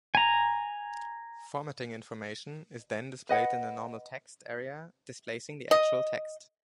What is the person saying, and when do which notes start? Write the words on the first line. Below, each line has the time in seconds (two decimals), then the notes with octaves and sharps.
Formatting information is then displayed in the normal text area displacing the actual text.
0.15 G#5 A#5
3.29 B4 D#5 F#5
5.71 D#5